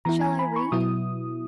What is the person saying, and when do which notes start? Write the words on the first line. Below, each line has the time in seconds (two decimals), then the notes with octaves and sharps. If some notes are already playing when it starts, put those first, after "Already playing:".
Shall I read?
0.05 E3 B3 E4 A#5
0.21 G#5
0.39 B5
0.56 C#6
0.72 B2 F#3 B3 E4 D#6